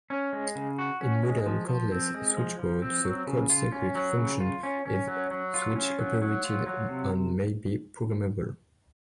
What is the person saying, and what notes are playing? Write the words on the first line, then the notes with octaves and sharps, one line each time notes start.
In modern cordless switchboards, the cord-circuit function is switch operated and may be programmable.
C#4
G#3
C#3
F#4
C#4
G#3
F3
F3
C4
G#3
F3
F3
C4
F#3
C#3
F4
C#4
F#3
C#3
F4
C#4
C#4
F#3
F#3
F4
C#4
F#3
F#3
F4
F#3
C3